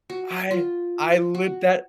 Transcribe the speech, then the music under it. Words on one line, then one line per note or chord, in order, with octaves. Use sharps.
I I lit that
F#4
F4
F#4